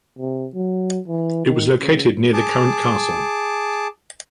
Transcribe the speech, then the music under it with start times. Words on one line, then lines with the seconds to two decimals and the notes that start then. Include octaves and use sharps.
It was located near the current castle.
0.19 C3
0.54 F#3
1.08 E3
1.46 D#3
1.78 C#3
2.34 G#4 A5 D6